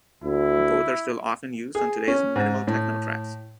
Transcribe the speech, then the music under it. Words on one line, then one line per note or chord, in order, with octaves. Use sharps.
Both are still often used on today's minimal techno tracks.
D2 E4
G#4
C#4
G#2
A2